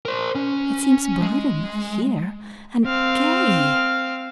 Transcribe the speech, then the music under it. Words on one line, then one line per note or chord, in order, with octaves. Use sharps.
It seems bright enough here, and gay.
A#4 C5
C#4
G#3
C4 F5